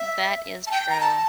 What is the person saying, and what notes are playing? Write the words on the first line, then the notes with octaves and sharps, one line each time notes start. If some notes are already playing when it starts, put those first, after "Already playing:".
That is true,
Already playing: E5
A5
G5
A#5
A5